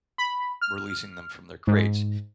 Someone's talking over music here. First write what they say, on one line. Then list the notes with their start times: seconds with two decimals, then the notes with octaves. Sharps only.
releasing them from their crates,
0.18 B5
0.61 F6
1.67 G#2